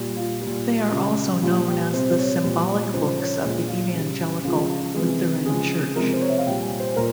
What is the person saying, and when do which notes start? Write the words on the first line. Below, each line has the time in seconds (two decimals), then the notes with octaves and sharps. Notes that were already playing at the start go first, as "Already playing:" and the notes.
They are also known as the symbolical books of the Evangelical Lutheran Church.
Already playing: A#2 G3
0.17 F4
0.42 A#2 G3
0.92 C#3 G3
1.42 A#2 G3 F4
1.68 G4
1.93 C3 C5
1.96 G3
2.18 C#5
2.44 A#2 G3
2.94 C#3 F3 G#3 C5
3.19 C#5
3.44 A#2 G#3
3.69 F4
3.94 C#3 G3
4.44 C#3 F3 G#3 F4
4.70 F4
4.95 C3 E3 G#3
5.45 C#3 F3 G#3 G#4
5.96 C3 F3 G#3 A#4
6.13 C5
6.22 C#5
6.29 E5
6.38 F5
6.46 A#2 G5
6.50 G3
6.63 G#5
6.80 C5
6.96 A#2 A#4